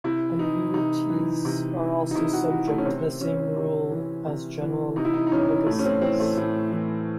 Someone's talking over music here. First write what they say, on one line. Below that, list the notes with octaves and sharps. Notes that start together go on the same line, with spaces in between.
Annuities are also subject to the same rule as general legacies.
C3 E4
E3 D#4
C3 D#4
E3
C3
E3
D#4
C3 E4
F#4
E3 F#4
A3
C#4
C3 C4
E3 C#4
C3
E3
C3
E3
C3 D#4
E4
D#4
D#4
E3 C#4
A2 A3
C#4
C4
E3 C4
A3
A2
E3